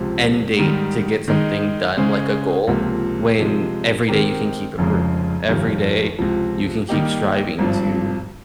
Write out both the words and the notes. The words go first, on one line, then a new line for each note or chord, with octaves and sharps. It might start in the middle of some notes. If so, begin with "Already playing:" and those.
end date to get something done, like a goal, when every day you can keep improving. Every day you can keep striving to
Already playing: C#2 C3 F3
G#2 D#3 G3
D#3 G#3 D#4
C#3 G#3 C#4 G#4 C5
C#2 C3 F3 A#3
C3 F3 G#3
D#3 G#3 C4 G4 A#4
F1 F2 C#3 G#3
G1 F2 D#3 G3
C#2 C3 F3
D#3 G3 A#3 D#4 G4
G#1 G2 F3 C4